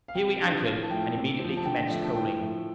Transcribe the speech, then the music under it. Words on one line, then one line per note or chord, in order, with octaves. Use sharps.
Here we anchored, and immediately commenced coaling.
F5
C3 G5
F3 D4
A2 F5
A5
F3 A3 G5
C3
C4
F3
A5
D3 G5
F3 A3 D4
A5
A2 G5
F3 A3